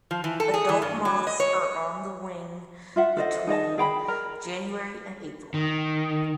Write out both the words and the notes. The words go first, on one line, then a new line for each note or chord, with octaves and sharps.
Adult moths are on the wing between January and April.
F3
E3
A4
G#4
E3
G2
F#3
D#5
C#5
F4 E5 F#5
A4 C5 D#5 F#5
D#4 G#4 D#5 A5
G#4 G5 A#5 B5
A#4 A#5
D#3